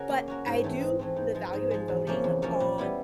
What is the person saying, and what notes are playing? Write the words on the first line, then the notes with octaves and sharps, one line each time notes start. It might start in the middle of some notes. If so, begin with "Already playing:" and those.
but I do the value in voting on,
Already playing: C#3 C#4 F#4 A#4
A#3
C#4 F#4 A#4
G#2
E3 A3 C4
G#2
E3 A3 C4
G#2
F3 G#3
G#2
F3 G#3
E2
C3 F3 A#3 C#4
E2
C3 F3 A#3 C#4
A#2
G3 B3 E4